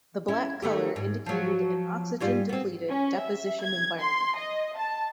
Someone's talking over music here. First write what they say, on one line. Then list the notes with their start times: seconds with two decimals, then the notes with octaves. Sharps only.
The black color indicated an oxygen depleted deposition environment.
0.28 C#4 E4
0.62 D#3 A3 G4
0.96 G#2
1.26 F3 F#3
2.20 G#2 G3 F4
2.49 B3 C4
2.89 C#4
3.22 E5
3.64 G#6
4.00 C6
4.39 D#5
4.78 A5